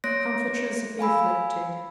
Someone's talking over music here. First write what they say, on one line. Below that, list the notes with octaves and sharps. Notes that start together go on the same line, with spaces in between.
Comfortress of the afflicted.
A#3 C#5 F#6 A#6 D7
F5 G#5 B5 E6